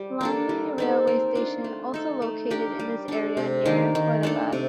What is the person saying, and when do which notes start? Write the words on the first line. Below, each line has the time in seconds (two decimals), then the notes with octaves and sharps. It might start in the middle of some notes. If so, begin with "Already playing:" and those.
Landhi railway station also located in this area near Quaidabad.
Already playing: G3
0.21 A#3 D4 A4
0.49 G3
0.78 C4 D#4 A4
1.07 A#3
1.35 D4 F4
1.64 A3
1.94 D#4 A4
2.22 A3
2.50 D4 G4 A#4
2.79 G3
3.08 D4 A4
3.37 C3
3.65 D#3 A#3 D4
3.95 D#3
4.23 A3 D4 A4
4.52 C3